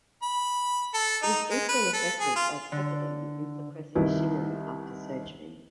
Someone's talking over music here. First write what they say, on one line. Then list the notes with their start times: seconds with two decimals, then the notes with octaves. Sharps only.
It is equally effective as pethidine in suppressing shivering after surgery.
0.22 B5
0.94 A4
1.23 D#4
1.51 G#3
1.69 B4
1.93 A4
2.20 G#4
2.36 F4
2.72 D3
3.95 C2 D#3 E4 B4